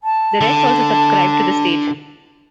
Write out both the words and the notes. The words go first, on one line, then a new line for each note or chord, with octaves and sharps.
The rest also subscribed to "The State".
A5
D3